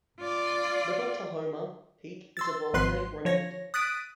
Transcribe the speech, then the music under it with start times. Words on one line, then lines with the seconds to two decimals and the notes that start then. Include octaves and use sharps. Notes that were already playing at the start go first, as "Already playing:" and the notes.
Little Tahoma Peak is a volcanic remnant.
0.20 F4 D5
2.37 C6 E6 A6
2.74 G#1 F3 B4 C6 F#6 C7
3.25 F3 C#5 A#6
3.74 D#6 F#6 A6 B6 D7 D#7